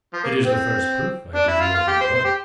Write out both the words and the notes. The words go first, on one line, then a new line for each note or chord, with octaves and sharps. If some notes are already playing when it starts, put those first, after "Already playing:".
"It is the first proof I give you of my love."
F3
A#3
C4
D4
E4
F4
F4
G4
C5
C5
G4